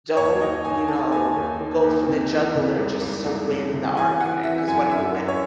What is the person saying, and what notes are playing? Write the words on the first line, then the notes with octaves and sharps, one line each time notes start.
Don't, you know, go for the jugular just to win the argument, 'cause what are you winning?"
D#2 C#5
D#2 D#5
D#2 G#5
D#3 A5
D#2 G#5
D#2
D#3
D#2
C3
E3
C3
C2
C2
C2
C2
C3
E3 G#5
E3 F#5
E3 E5
F#2 G#5
F#2 E5
F#2
C#5